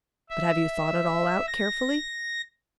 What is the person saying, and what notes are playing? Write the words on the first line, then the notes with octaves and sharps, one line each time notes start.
But have you thought it all out carefully?
E5
A#6